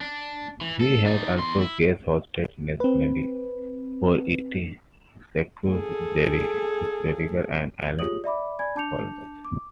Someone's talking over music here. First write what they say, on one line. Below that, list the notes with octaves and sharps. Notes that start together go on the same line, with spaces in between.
He has also guest hosted nationally for Ed Schultz, Jerry Springer, and Alan Colmes.
D4
E3
A4
D#4 D5
E2 C6
E4
C4 B4
G#4 A4
F4 G4 G#4 C#5 D#6 F#7
D5 E5 B5 D6
D5 G#5 B5 G#6
D4 A5 D6 G6 C#7 F7
D6